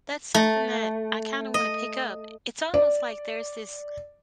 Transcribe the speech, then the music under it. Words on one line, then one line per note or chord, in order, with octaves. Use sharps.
that's something that I kinda wanna pick up. It's almost, like, there's this
A3
D#5
D5